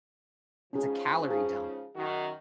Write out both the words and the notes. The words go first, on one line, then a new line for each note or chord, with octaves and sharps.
it's a calorie dump.
G#2 C#3 F3 C#4 G#4
G#4
F#2 D#3 F#4